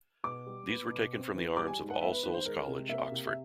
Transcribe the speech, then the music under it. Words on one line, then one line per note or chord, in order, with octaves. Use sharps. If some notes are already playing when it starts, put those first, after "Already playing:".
These were taken from the arms of All Souls College, Oxford.
B2 D6
G3
B3
B2
C4
E3
G3 D6
G#5
G#2
F#5
B3 E5
B4
D#3 B4
C5
G#3 A#4
C3
A#3 E5
C3
E5